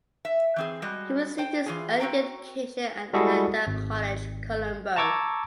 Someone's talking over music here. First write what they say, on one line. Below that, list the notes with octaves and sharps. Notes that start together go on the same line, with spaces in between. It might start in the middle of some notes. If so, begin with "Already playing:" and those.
He received his early education at Ananda College, Colombo.
E5
E3 C4 G#4
G3 G#3 F#4 D#5
C5 G5
E3 F4 G#4
C4 F#4 G5 A#5
G3 G#3 E4 F#4 G#4 A4
G#1
A5 A#5 C#6 D6 E6 G#6